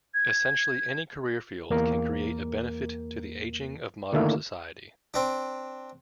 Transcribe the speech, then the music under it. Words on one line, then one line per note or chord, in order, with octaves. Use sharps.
Essentially any career field can create a benefit to the aging of modern society.
G#6
E2 A#3 A#4
D3 D#3 A3 A#3 E4
C4 D4